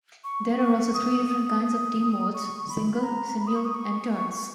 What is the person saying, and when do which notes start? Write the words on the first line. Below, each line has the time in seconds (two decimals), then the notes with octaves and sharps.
There are also three different kinds of Team modes: Single, Simul, and Turns.
0.24 C#6
0.59 C#6
0.94 D#6
1.29 D#6
1.64 D#6
2.34 C#6
2.69 B5
3.03 A#5
3.39 B5
3.47 D#6
3.56 C#6
3.65 D#6
3.75 C#6